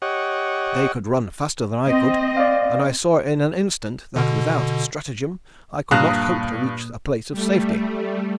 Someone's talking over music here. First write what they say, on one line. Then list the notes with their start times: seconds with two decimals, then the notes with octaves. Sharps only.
They could run faster than I could, and I saw in an instant that without stratagem I could not hope to reach a place of safety.
0.02 G4 C#5 D#5 F#5
1.89 C4 D#5
2.37 D5 F5
4.16 B2 D3
5.91 G2 A#2 F5 A5 A#5 D#6 F#6
7.31 G3 A3